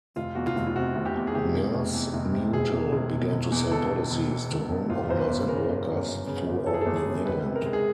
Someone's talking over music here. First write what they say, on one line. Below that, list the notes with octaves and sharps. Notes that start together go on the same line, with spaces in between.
MassMutual began to sell policies to homeowners and workers throughout New England.
F1 F4
E2 F#4
F4
F1
F4
C3 F#4
F1
G4
E2
G#4
F1 G4
C3
F1
E2
F1
C3
E1 G#4
E2
E1
B2
E1
E2
E1 A4
B2
E1
E2
E1
B2
G1 F4
F#2 C5
B4
G1
C#3 A#4
G1
F#2
G1
C#3
G1
F#2 A4
G#4
G1 A4
G#4
C#3
C#2 B4
C3
A#4
G#3
G#4